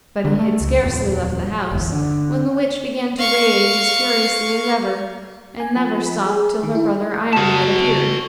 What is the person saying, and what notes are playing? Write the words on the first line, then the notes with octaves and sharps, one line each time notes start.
But he had scarcely left the house when the witch began to rage as furiously as ever, and never stopped till her brother Ironhead appeared.
D3 G3
A3
C#2
D#1 F2
G1 E2
D3
F5 C#6
G#5
F3
B5
G#4
D#3
E4
F#4 A5